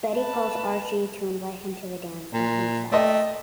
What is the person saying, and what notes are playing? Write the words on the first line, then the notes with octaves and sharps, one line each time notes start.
Betty calls Archie to invite him to the dance, and he accepts.
B4 A5
A#2
A3 D5 D#5 G5